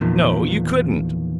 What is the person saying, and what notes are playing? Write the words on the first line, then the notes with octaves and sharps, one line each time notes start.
"No, you couldn't."
E2 A#2 D#3 F3